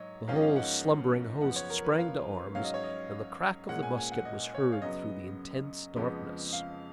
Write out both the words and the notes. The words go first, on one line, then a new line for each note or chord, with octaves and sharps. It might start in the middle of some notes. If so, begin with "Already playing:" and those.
The whole slumbering host sprang to arms, and the crack of the musket was heard through the intense darkness.
Already playing: G#2 F#3 C#5 D#5
G#2 F3 A#3 C#4 F5
D#5
F5
F#5
F#2 C#3 F3 B3 F#5
C#5
A#4
B4
F5
G#2 F#3 C#4 F5
D#5
C#5
D#5
A#2 G#3 C#4 F#5
G#5
G#5
F#5
D#5
C#5
F5
F#2 C#3 F#3 B3 D#5
F2 C#3 F3 G#3 B3
F5